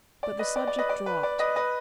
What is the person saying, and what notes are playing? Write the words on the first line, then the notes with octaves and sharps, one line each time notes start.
But the subject dropped.
D5
B4 D#5
D5
D5
B4 D#5
D5
B4
D5
B4 D#5
B4 D#5